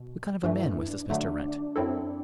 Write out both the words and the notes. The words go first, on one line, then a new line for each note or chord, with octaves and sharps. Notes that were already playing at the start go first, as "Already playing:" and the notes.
"What kind of a man was this Mr. Wrent?"
Already playing: B2
G2 E3 A3 D4
E4
D4
E4
D4
D3 F#3 A3 D4
F#2 F#3 C4 E4 A4